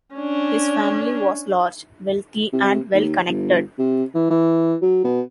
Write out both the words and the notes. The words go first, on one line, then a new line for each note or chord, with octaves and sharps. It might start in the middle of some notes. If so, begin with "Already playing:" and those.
His family was large, wealthy and well-connected.
C#4 D4
C3
D#2
G1
C3
E3
E3
F#3
B2